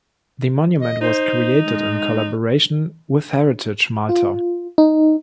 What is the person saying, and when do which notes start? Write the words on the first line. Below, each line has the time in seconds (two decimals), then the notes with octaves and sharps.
The monument was created in collaboration with Heritage Malta.
0.80 D#5
1.02 D#4 C5
1.64 G#3
4.09 F4
4.78 D#4